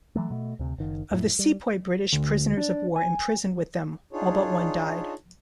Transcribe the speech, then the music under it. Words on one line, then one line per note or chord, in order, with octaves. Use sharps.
Of the sepoy British prisoners-of-war imprisoned with them, all but one died.
E3 F#3 A3
B2 A3
D2 C3
F#1 D#3
F2 A2
G3
D2
D4
G#5
D4 D#4 F4 G#4 C#5